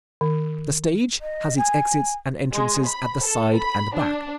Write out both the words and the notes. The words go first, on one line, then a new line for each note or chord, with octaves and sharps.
The stage has its exits and entrances at the side and back.
D#3
D#5
G#5
G#3
B5
A4
B5
D4